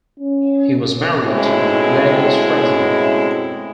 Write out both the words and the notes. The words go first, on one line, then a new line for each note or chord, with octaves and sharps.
He was married to Gladys Frazin.
C#4
B2 G#3 A3 C4 C#4 E4